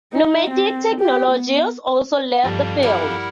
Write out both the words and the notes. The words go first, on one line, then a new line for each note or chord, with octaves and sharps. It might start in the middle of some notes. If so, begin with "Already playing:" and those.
Nomadic Technologies also left the field.
D#4
C4
G4
B3
G2 F3 G3 F4 A4 A6
G3 E4 A#4 F#5